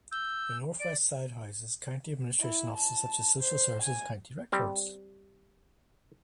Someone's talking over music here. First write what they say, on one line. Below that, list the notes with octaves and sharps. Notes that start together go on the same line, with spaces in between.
The Northwest side houses county administrative offices such as social services and county records.
E6 G6
D5 D7
E4
A5
C5
G#5
G3 C4